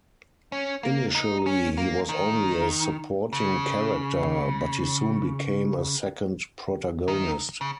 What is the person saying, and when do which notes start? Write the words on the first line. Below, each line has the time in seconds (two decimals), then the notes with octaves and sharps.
Initially, he was only a supporting character, but he soon became a second protagonist.
0.52 C#4
0.83 A#3
1.15 D#4
1.46 C#4
1.77 A#3
2.09 D#3
3.33 C#3
7.08 D#3
7.61 C#3